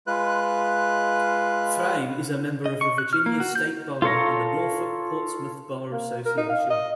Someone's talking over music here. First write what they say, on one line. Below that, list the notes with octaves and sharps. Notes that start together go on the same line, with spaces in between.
Fraim is a member of the Virginia State Bar and the Norfolk-Portsmouth Bar Association.
G#3 F4 B4 F#6
D#5
C#6
F#6
F6
A#3
F#4
G6
F4 A4 C#5 A#5
A#3
A#4
D#4
F5
D#5